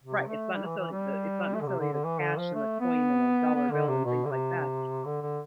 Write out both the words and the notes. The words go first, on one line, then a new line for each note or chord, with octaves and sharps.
right, it's not necessarily the it's not necessarily a cash and a coin and a dollar bill and things like that.
C3
A3
G3
E3
E3
G3
A3
D3
C3
D3
D3
E3
D3
F3
A3
B3
B3
D3
C3
B2
D3
C3
D3
D3